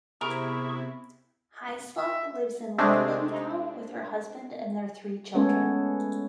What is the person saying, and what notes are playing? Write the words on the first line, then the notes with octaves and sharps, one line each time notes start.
Hyslop lives in Linlithgow with her husband and their three children.
C3 B3 E4 G#4 A#4 C#6
E5
C3 G#3 A3 C4 D4
G#3 A3 B3 C#4 A4 C#5